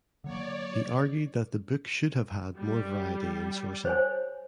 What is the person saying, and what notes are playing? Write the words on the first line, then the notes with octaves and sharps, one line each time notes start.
He argued that the book should have had more variety in sourcing.
D3 F#3 A#3 C#5 D5
G3
C5 C#5 G#5